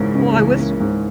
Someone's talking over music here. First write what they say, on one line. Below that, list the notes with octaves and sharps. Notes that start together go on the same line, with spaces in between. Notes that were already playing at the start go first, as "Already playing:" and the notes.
Well, I wish
Already playing: C#2 G#2 C#3 E3 A#3
C#4
E3
A#3
G#2